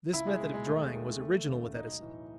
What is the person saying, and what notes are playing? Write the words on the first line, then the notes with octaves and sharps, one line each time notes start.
This method of drying was original with Edison.
C#2 E4
G#3
B2
G#3
D#2 A3
G#3
D#3
E1 A3
D#2 C#3
B1 D#4
A2 E3